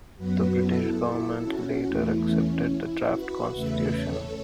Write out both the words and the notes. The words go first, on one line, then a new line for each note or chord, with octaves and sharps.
The British Government later accepted the draft constitution.
F#2 F#3 B3 F#4 B4
E4 A4
C#4 F#4
E2 E3 A3 E4
C#4
E4
F#4 B4
E2 C#3 A3 B4 E5
A4 C#5